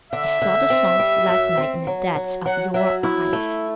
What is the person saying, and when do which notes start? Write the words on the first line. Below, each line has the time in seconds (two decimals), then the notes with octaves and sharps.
"I saw the songs last night in the depths of your eyes."
0.13 D3 E5
0.42 D3
0.70 C4
0.99 G3
1.28 F#2
1.57 C4
1.87 F#3
2.15 F#3
2.45 F#3 F#5
2.74 F#3 E5
3.03 E4
3.33 A3